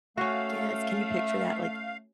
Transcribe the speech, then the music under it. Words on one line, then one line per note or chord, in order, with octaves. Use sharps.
Yes. Can you picture that? Like,
A3 C#4 F#4 F5